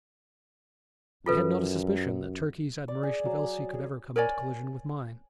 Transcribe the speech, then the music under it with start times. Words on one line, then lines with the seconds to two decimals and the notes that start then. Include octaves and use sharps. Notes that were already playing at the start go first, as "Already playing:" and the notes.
I had not a suspicion that Turkey's admiration of Elsie could ever come into collision with mine.
1.26 F#2 F4 A4 B4
2.88 D5
3.03 G#4
3.25 F#3
3.74 G#4
4.16 A#4 C#5 D5 G#5